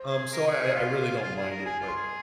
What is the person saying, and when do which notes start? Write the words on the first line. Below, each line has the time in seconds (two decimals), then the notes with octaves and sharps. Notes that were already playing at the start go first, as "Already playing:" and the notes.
um, so I I I really don't mind it, but
Already playing: C5
0.10 G#4
0.33 A#4
0.47 G#4
0.62 G#4
0.76 F4 F5
1.16 G#4
1.21 F4
1.36 G#4
1.51 A#4
1.66 G#4 G#5
1.80 F4
1.88 C6
1.96 G#4